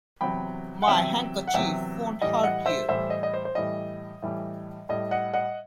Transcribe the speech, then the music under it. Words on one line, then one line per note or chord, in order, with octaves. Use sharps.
My handkerchief won't hurt you.
E2 C3 F#3 G5 B5
F#5
E2 C3 F#3 E5 G5
F#5
E2 C3 F#3 E5 G5
A2 E3 G3 D#5
D#5 F#5
C5 E5
A2 E3 G3 C5 E5
D#5
D#5
C5
C5
A2 E3 G3 D#5
A2 E3 G3
A2 G3 D#5
D#5 F#5
D#5 F#5